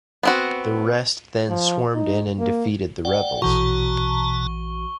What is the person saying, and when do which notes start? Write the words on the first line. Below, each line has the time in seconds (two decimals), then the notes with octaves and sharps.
The rest then swarmed in and defeated the rebels.
0.23 B3 C4 F#4
1.49 F3
1.95 D#4
2.40 A#3
3.05 D5 F#5 G5
3.42 A#1 B2 E3 F#4 A5 A#5 C#6 G7